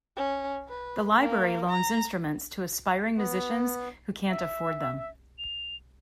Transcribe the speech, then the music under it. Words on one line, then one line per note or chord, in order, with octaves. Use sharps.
The Library loans instruments to aspiring musicians who can't afford them.
C#4
B4
A#3
A#5
B3
E5
F7